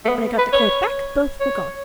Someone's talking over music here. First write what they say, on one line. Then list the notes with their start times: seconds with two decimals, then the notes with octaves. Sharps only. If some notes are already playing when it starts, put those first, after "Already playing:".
When I got the cloak back both were gone.
0.05 A3
0.09 B3
0.38 B4
0.53 C#5
1.40 C#5